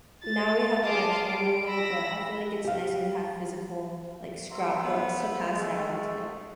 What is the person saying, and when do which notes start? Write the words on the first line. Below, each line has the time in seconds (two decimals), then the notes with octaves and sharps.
now we have, like, our camera roll, but I feel like it's nicer to have physical, like, scrapbooks to pass down to, like,
0.23 A6
0.84 G#4 F5 A5 C6 D6 D#6
1.27 D7
1.66 B5 E6 A#6
2.65 G4 F5
4.51 F#3 E5 C6
4.83 B3 C5 E5
5.51 G#3 A3